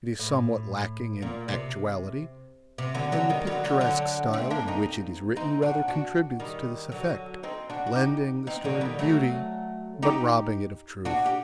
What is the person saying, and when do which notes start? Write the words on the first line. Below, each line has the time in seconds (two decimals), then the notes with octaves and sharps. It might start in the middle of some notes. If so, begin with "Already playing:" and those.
It is somewhat lacking in actuality, and the picturesque style in which it is written rather contributes to this effect, lending the story beauty but robbing it of truth.
0.19 A2
1.22 A#2
1.48 C3
2.78 C3
2.95 D3 F#3
3.12 D3 F#3
3.30 D#3 G3
3.47 D3 F#3
3.64 D3 F#3
3.81 D3 F#3
4.33 A3 C4
4.50 A#3 D4
4.68 C4 D#4
5.36 C4 D#4
5.62 D4 F#4
5.88 D4 F#4
6.40 D#3 G3
6.92 D3 F#3
7.43 C4 D#4
7.70 D4 F#4
7.87 F#4
7.95 D#4 G4
8.47 C4 D#4
8.64 D3 F#3
8.81 D#3 G3
8.99 F#3 A3
10.02 D#4 G4
11.05 D4 F#4
11.26 G4